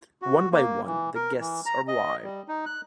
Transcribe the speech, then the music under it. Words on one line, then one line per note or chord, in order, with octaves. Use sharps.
One by one, the guests arrive.
F#4
A#3
E3
A#4
E3
A#5
D#5
G3
D#4
F#6